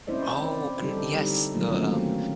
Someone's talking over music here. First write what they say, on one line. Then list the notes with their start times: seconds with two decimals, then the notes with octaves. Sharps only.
Oh, and yes. The, um,
0.07 C4 C#4 E4 C5 D5 D#5
0.45 D5
0.81 D3 G3 D#4 G4 A4
1.54 D#3 F#3 A3 A#3 F4
1.69 A3 A#3 C4 C#4